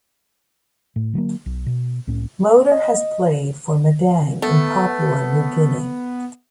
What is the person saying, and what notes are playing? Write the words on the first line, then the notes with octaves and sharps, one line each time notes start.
Moeder has played for Madang in Papua New Guinea.
A2
D3 F#3 G3 A#3
B1
B2
C2 A2 C#4
D#5
A3 B3